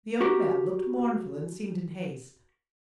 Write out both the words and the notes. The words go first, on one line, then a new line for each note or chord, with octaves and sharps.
The old man looked mournful, and seemed in haste.
F#4 G4 A#4